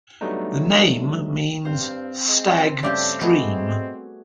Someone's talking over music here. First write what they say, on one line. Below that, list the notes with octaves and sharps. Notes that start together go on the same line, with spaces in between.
The name means 'stag stream'.
F#3 G3 A3 B3 D4 D#4
G2 C4 C5 F5
G#3
G2 C#3 A3 D4 G4 E5 D6
G#3 A3 B3 F#4 G#4